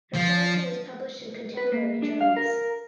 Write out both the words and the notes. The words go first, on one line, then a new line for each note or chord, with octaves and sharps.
Her poetry was published in contemporary journals.
F3
B4
A#3
D4
F5
A#4